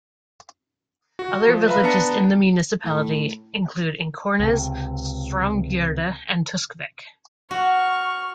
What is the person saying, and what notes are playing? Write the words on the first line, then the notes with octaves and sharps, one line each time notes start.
Other villages in the municipality include Ikornnes, Straumgjerde, and Tusvik.
F#4
F3
B4 E5 F5 A#5 B5
B3 D4 A5 A#5 C#7
A2
C#2 C3
F#4 C#6 F6